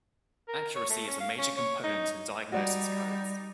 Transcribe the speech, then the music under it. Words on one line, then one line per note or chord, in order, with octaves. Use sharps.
Accuracy is a major component in diagnoses codes.
A#4
C#5
A3
C#4
F5
C#4
C#5
D#4
G3 D#4 F#4 D5